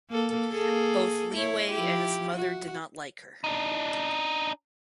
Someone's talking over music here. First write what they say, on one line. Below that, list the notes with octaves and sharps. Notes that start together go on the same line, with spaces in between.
Both Li Wei and his mother did not like her.
A#3 A4
A#3 G#4 A4
E4 C#5
F3 E4 G4
F#4
D4 D#4